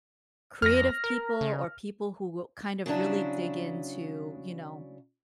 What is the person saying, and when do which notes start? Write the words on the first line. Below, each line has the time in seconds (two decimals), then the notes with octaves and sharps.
creative people or people who will kind of really dig into, you know,
0.62 F2 F6 A#6
1.04 A#4
1.41 C#3
2.86 C#3 F#3 C#4 D4 E4